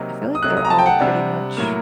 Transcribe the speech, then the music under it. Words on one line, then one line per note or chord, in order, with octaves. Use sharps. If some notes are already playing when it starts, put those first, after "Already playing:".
I feel like they're all pretty much
Already playing: C3 F#3 A#3 D#4
D#6
C3 F#3 A3 D#4 F#6
D#6
A#5
A5
G5
F#5
C3 G3 D4
A2 F#3 A#3